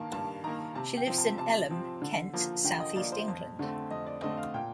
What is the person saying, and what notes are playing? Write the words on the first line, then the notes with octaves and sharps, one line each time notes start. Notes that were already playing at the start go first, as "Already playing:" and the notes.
She lives in Elham, Kent, South East England.
Already playing: G2 D#3 A#3 A5
G2 A5
D#3 A#3 A#5
C3 A5
G5
F3 C4
A5
C3 A5
F3 C4
D3
F3 A#3
D3 G5
D#5
F3 A#3 D5
C5
F2
D3 A3 C4
F2 D#5
D5
D3 A3 C4 D#5
F5
A#2 G5